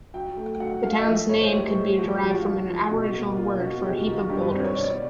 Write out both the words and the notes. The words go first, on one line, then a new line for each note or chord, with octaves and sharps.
The town's name could be derived from an Aboriginal word for "heap of boulders".
F#3 G5
A3
F#3 F#5
A3 F5
D#5
F3 E5
A2 C#5
C5
G#3 G4
G#3
F3 F#4
G4
F3 F#4
F4
F3
F3
B2 F#4
A#3
A#3 F4
B2 F#4
G#3 G4
F#4
D#3 F4
F#4
G2 G4
B4
C4 C5
C#5
B2 D5